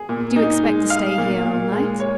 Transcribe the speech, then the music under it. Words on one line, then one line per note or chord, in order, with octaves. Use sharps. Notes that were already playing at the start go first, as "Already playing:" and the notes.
"Do you expect to stay here all night?"
Already playing: G#4
A#2
D#4
G#3
F5
A#2
A#2
G#3
C#5